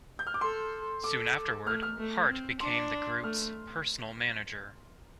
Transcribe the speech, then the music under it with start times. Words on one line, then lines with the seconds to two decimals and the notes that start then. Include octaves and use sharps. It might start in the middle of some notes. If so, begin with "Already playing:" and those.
Soon afterward, Hart became the group's personal manager.
0.19 G6
0.27 F6
0.34 D6
0.41 A4 C6
1.04 A4 D6
1.66 A3 F6
1.82 F6
1.99 A3
2.29 C4
2.60 D4 C6
3.23 A3 F6